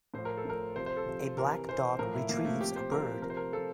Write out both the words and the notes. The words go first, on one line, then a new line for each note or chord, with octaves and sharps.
A black dog retrieves a bird.
A2 F3 C5
A#4
A4
A2 F3 A#4
C3 F3 C5
C5
A4
C3 F3
C3 E3 A#4
C3 E3 C5
A2 F3 A#4
E4
A2 F3 A#3
A3
C3 F3 G4
C5
C3 F3 A#4
C3 F3 A#4
C5
A#4
C3 F3 A4